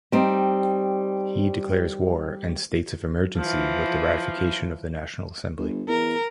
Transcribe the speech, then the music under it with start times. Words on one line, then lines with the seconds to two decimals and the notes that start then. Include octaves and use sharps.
He declares war and states of emergency with the ratification of the National Assembly.
0.12 G3 C4 D#4
3.37 E3 F3
5.58 G1
5.89 E2 A#4